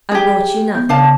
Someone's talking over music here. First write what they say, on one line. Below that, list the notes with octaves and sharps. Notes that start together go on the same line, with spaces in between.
'I've brought you nothing.
G4 G#4
B3 G6
C#3 D4 F5 A5